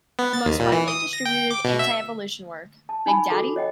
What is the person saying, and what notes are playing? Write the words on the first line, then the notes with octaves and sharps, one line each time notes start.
The most widely distributed antievolution work, Big Daddy?
B3
A6
D#2
A#2
E3
D#6
A#6
G5
D6
B2
E5
A5
D#4 G#5 B5 C6
F#4 A4 C6 D6
C#5 D#5 F#5 G5